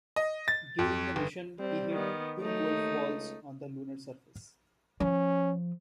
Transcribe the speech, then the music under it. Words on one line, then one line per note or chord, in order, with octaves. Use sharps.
During the mission, he hit two golf balls on the lunar surface.
D#5
A6
F2
G1
G3 C4
D#3 B3
F#3 A3 D#4
D#2
C#2
F3 C#4